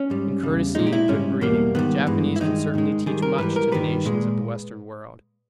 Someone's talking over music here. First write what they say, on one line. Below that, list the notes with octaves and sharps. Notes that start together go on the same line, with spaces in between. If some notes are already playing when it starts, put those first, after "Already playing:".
In courtesy and good breeding, the Japanese can certainly teach much to the nations of the Western world.
Already playing: C#4
G#2 G3
E2 C#3 G3
A#2 G#3 D#4
G4
E4
G#2 G3 C#4
E2 B2 G3 A#3
G#2 D#3 G3 B3
G2 E3 G#3
E4
G2 D#3 G#3 D#4
G#2 D#3 G#3
G#2 D#3 G3 G#4
A#4
G#2 E3 G3 B4
A#4
G2 D#3 G3 B4
A#2 G#3